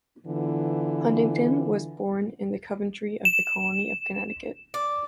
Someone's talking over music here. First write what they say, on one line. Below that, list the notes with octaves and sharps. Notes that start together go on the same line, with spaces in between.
Huntington was born in Coventry in the Colony of Connecticut.
D3 E3 B3 F4
E7
D5